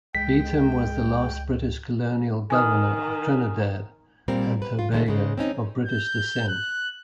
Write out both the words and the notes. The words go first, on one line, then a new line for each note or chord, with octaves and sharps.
Beetham was the last British colonial governor of Trinidad and Tobago of British descent.
C#2 G#3 G5 B6
D#3 G#5 D#6 F6
A#2 G3 C4 A#4
B4
F4
A#2 D3 D#3 F3 G#3 A3
G#2 C#3 G#3
C4 C#4 D#4
G6
F#6